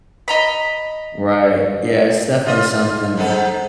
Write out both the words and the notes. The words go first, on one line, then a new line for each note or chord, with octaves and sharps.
Right. Yeah. It's definitely something
D#5 A#5 B5
F4 D#5 E5
G#2 D#4 A4